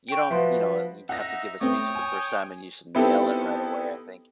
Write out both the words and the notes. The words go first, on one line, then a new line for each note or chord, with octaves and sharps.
you don't, you know, have to give a speech for the first time and you should nail it right away, I think
G5 C#6 D7
F3 F4 F#4 B4 E5 F5 C6
D#4 E5 F#5 A#6
A3 C4 C#5 G5 D#6
G#5
B3 C4 D#4 E4 G4 A4